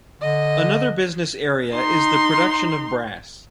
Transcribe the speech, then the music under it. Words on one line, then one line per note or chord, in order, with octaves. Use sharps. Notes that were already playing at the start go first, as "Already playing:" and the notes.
Another business area is the production of brass.
D3 D#5
D#4 C6